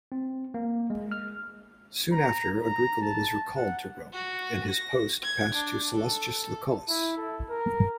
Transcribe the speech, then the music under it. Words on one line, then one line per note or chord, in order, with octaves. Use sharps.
Soon after Agricola was recalled to Rome, and his post passed to Sallustius Lucullus.
C4
A#3
G#3
F6
A#5
A#5
A5
F#5
F#4
A#6
G#6
D4
A4
E4
A4
A#4